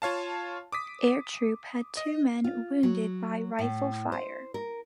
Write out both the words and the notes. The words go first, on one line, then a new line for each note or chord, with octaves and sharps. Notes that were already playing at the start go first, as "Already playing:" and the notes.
Air Troop had two men wounded by rifle fire.
F4 C#5 F5 A5
D6 D#6 B6
D#5
F4
F#3
A2
C5
A#4